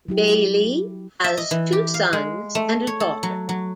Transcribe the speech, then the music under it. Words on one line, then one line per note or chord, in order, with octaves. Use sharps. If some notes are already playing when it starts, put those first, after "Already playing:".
Bailey has two sons and a daughter.
F#3 E4 G4
E5
D#5
E3
G4
F5
G#3
A3
C#5
A4
F#3
F#3